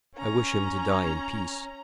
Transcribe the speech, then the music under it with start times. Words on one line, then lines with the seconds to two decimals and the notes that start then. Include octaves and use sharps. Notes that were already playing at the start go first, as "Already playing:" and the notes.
"I wish him to die in peace."
0.15 C#4 A#5